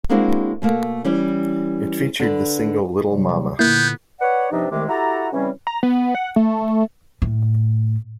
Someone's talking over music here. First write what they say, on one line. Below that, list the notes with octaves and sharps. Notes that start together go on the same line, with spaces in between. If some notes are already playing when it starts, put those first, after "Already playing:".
It featured the single "Little Mama".
G#3 A#3 C4 D4 E4 F#4
B2 A3 A#3
E3 G3 C#4
D3 B4
C3 F#3 G3
A#2 D3 A#3 B3 E4 G6
B4 C#5 D5 F#5
G2 C3 F3 D4 D#4
C2 C3 D#3 G#3 A3 D6
E4 F#4 G4 A4 A#5
C#3 E3 G3 C4 C#4
A#5
B3
F#5
A3
A2